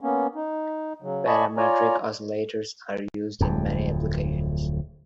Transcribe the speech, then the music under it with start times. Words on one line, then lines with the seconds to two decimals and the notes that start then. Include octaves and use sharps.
Parametric oscillators are used in many applications.
0.01 A#3 B3 C#4
0.35 D#4
1.02 C#3 F#3
1.27 D5 D#5 G#5 A5 B5 C#6
1.57 F4 C#5 D5 G#5 A#5
3.41 D1 F2